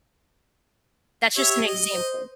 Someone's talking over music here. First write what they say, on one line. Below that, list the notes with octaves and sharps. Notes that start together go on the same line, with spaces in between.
That's just an example.
G4 C#5 E5
D#5
C5